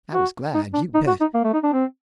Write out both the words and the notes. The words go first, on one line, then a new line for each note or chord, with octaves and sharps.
I was glad, you bet.
F#4
D#4
D4
D#4
F#4
D#4
A#3
A3
D#4
D4
C4